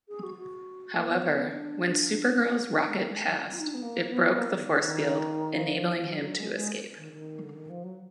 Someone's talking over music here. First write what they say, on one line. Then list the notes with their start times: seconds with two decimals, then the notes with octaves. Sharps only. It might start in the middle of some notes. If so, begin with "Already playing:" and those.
However, when Supergirl's rocket passed, it broke the force field, enabling him to escape.
0.08 G#4
0.23 F#4
0.37 F#4
0.94 A#3
1.08 B3
1.51 D4
2.67 D4
2.87 G#3
2.95 A#3
3.09 G#3
3.24 F#3
3.52 F4
3.59 D#4
3.66 D4
3.74 B3
3.81 A#3
4.09 B3
4.38 A#3
4.52 D#3
4.68 D#3
4.75 D3
4.82 D#3
5.53 F3
6.10 F#3
6.39 G#3
6.54 G#3
6.97 D#3
7.12 D#3
7.42 D3
7.54 D#3
7.69 F3
7.83 F#3